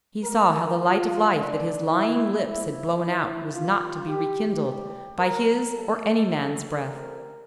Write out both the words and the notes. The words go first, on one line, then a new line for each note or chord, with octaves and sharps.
He saw how the light of life that his lying lips had blown out was not to be rekindled by his or any man's breath.
A2 G3 A#3 A#4
F4
E2 D3 A3 C4 D4
E4
C3 F3 A#3 E4
E4
C3 G3 A#3 F4
G4
E2 E3 G3 G4
A#4
G2 D3 G3 A#3 A4
C3 E3 A3 C4 A#4